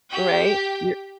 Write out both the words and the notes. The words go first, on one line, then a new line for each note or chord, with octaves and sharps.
Right, y
G4 G5